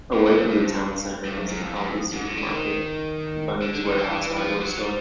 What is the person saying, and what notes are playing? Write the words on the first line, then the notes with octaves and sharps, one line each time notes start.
Away from the town centre is an Aldi Supermarket, and Bunnings Warehouse hardware store.
F#2
G#2
G2
G2
G2
F#2
F#2
F2
F#2
F2
G#2
A2
D3
D#3
D3
D3
D#3
E3
E3
F3
F#3
G3